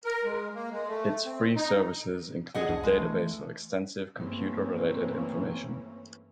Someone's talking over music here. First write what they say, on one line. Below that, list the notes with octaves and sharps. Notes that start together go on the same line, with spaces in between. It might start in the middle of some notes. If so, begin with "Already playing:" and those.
Its free services include a database of extensive computer-related information.
A#4
G#3
A#3
G#3
A3
C4
D#4
G#4 D#5 F#5
C2 F2 D4
G#3
E3 A3
G2 E3 A3 A#3 C4 C#4